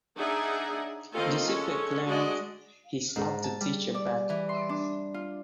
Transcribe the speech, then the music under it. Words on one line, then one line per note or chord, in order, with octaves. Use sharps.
Duceppe claimed he slapped the teacher back.
D4 D#4 G#4 D5 E5 F#5
D#3 A#3 C4 F4 A4 D#5
G#3 C#4 A4
G#3 D4 F#4 D5 D#5
G#2
A5
G3
D5
E3
C6
D4
F4